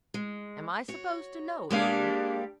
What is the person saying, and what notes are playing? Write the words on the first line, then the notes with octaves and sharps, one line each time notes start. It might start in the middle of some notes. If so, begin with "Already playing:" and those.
"Am I supposed to know him?"
G#3
F#4 C#5
G3 G#3 A#3 D4 G4 G#4 F5